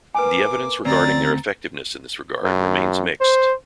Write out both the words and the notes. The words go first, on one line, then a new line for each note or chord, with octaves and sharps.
The evidence regarding their effectiveness in this regard remains mixed.
A#3 B4 G#5 D6
D2 C4 C#4 D5 A#5 A6
F#2
C5